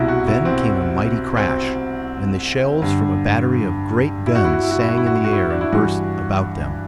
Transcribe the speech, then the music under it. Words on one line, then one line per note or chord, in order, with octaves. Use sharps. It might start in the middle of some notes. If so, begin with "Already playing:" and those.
Then came a mighty crash and the shells from a battery of great guns sang in the air and burst about them.
Already playing: C2 B2 E4
F#4
E4
C4
C4
G2 D3
E4
F#4
E4
F#4
E4
F#4
E4
F#4
E4
F#4
E4
F#4
E4
D4
E4
G2 E3 F#4